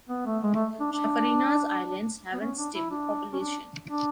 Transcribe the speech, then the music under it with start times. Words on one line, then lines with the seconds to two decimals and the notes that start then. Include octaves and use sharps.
Chafarinas Islands haven’t stable population.
0.09 B3
0.26 A3
0.43 G#3
0.55 A3
0.80 D4
0.93 D4
2.33 B3
2.40 C#4
2.57 D4
2.74 E4
2.90 D4
3.33 C#4
3.39 D4
3.89 D4